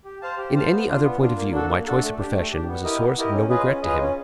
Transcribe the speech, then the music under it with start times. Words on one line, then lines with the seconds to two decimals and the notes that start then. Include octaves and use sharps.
In any other point of view my choice of profession was a source of no regret to him.
0.05 G4
0.22 C5 F5 A5
0.38 G4
0.54 C5 F5 A5
0.71 B3
0.87 D4 F4
1.03 B3
1.20 D4 F4
1.37 A#3
1.52 D4 F#4 A4
1.70 A#3
1.85 D4 F#4 A4
2.02 A3
2.19 D4 G4
2.34 A3
2.51 D4 G4
2.68 B3
2.84 E4 G4 A#4 D#5
3.01 B3
3.17 E4 G4 A#4 D#5
3.33 C#4
3.50 F4 G#4 B4 D#5
3.66 C#4
3.82 F4 G#4 B4 D#5
3.99 C#4